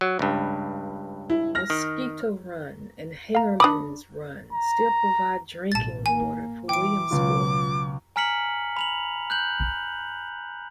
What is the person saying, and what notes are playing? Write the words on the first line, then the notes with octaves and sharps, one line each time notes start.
Mosquito Run and Hagerman's Run still provide drinking water for Williamsport.
F#3
C#2 G2
E4
F6 A#6
D#3
F5 A#5
D4 B5 D6 D#6
A#5
A1 B2 A5 A6
A#3 G#5
E3 G5 D6 D7
C#2 B2 F#3 F4
G#5 A#5 F6 B6 C#7 F#7
B5 F7 F#7
F#6 G6 F#7